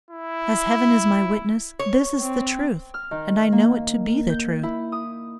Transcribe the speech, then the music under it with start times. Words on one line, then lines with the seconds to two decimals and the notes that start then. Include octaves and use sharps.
As Heaven is my witness, this is the truth, and I know it to be the truth.
0.11 E4
1.79 C#5
2.22 C4
2.94 F6
3.11 D#3
3.52 A#3
4.30 G6
4.63 E4
4.92 D#6